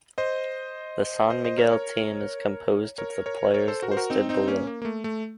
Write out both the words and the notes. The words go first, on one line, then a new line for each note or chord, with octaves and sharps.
The San Miguel team is composed of the players listed below.
C5 D#5
C5 D#5
C5 D#5
A#4 C#5
A#4 C#5
A#4 C#5
A#4 C#5
A#4 C#5
A4 C5
F#4 A#4
C5
F#4 A#4
C4 D#4
C4 D#4
A#3 C#4
A#3
A#3
A3
A3